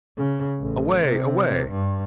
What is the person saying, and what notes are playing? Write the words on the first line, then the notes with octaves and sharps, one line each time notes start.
Away! away!
C#3
A1
C3
G2